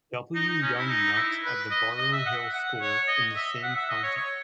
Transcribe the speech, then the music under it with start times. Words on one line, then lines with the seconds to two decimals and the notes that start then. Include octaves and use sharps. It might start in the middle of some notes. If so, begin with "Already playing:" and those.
W. Young Nutt at the Burrough Hill school in the same county.
0.35 D#4
0.49 D#4
0.62 C#4
0.77 E4
0.89 D#4
1.12 D#4
1.17 E4
1.45 B4
1.71 D#5
1.98 D#5
2.12 E5
2.26 F#5
2.53 F#5
2.81 C#5
3.08 D#5
3.36 E5
3.63 F#5
3.76 E5
3.90 D#5
4.03 C#5
4.17 C#5